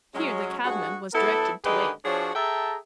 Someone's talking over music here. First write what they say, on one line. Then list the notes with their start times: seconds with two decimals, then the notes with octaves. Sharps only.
Here the cabman was directed to wait.
0.14 F#3 G#3 C#4
0.63 G2 F#4 G#4
1.13 F#3 B3 E4 A4
1.64 D3 D#3 G#3 G4 G#4 B4
2.04 F3 D4 F#4 G#4 C#5
2.34 G#4 A4 E5 G5 A5 A#5